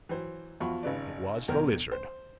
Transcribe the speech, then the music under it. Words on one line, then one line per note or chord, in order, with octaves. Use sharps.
It was the Lizard.
E3 F#3 C5
E2 F3 F4 F#4 B5 C#6
G#1 C#3 B4 D5
B1 E2 D3 A#4 G5 F6
C5